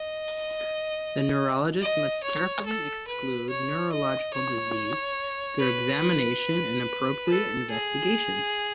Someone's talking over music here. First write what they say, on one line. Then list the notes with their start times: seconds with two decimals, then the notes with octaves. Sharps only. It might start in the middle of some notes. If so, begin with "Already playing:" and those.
The neurologist must carefully exclude neurological disease, through examination and appropriate investigations.
Already playing: D#5
1.81 D#5
2.23 C#5
2.65 A4
3.07 B4
3.49 C#5
3.92 D#5
4.33 C#5
5.60 B4
7.28 A4
7.70 G#4